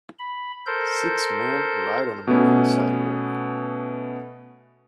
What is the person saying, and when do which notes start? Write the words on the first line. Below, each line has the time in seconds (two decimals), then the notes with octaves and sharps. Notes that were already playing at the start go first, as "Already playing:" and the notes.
Six men ride on a moving sidewalk.
0.19 B5
0.66 A4 A#4 C5 G6
2.27 B2 A3 B3 C#4